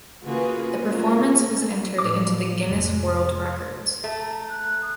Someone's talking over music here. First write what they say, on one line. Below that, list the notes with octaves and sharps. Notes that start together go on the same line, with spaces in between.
The performance was entered into the Guinness World Records.
C#3 A#3 F4 F#4 G#4 B4
C#4 F4 G#4 A#4
A2 F3 D6
F1 G#3
A3
A#5
F#6
D#6